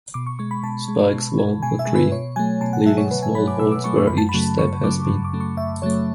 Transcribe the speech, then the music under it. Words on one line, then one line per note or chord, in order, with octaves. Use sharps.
Spikes wound the tree, leaving small holes where each step has been.
B2 D6
C#6
G#3 C#6
B5
B2 A5
G#3
B2
G#3
B2 G#5
E5
G#3
B4
B2 C#5
F#3 A3 G#5
B2 A5
F#5
F#3 A3 E5
C#5
B2 B4
G#5
F#3 A3 B5
D6
B2 E6
D6
F#3 A3 C#6
C#6
F#2 B5
A5
B5
C#3 F#3 A3
F#2 C#6
C#3 F#3 A3 D6
F#2 C#6
D6
C#3 F#3 A3
C#6
F#2 E5
C#3 F#3 A3 C#5